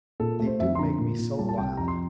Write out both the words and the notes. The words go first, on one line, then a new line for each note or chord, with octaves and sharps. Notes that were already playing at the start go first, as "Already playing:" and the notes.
They do make me so wild.
A#2 A4
A3
C5
F2 E5
C6
D3 A#5
A#2
A#2
G3 A5
A5
C2 G5
F2 A#5
C6